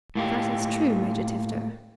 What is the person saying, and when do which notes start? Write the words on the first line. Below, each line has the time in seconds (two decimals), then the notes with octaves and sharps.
"That is true, Major Tifto."
0.15 A2 A#3 G4